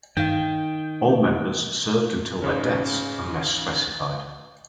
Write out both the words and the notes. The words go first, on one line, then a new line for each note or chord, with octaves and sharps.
All members served until their deaths unless specified.
G2 D#3 D#4 F5 G5
G#2 C#3 C#4